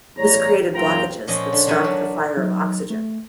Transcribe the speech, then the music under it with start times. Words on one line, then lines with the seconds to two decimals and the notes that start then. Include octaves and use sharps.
This created blockages that starved the fire of oxygen.
0.16 E2 A2 G3 C#5 A#5
0.74 C#2 F#2 A#2 F4 G5 A#5
1.28 A#2 F3 C#4 D#5
1.53 D3
1.67 D3 F#3 C#4 B4 C#5 F#5
1.84 F#3 D4
2.37 F#3 D#4
2.90 A3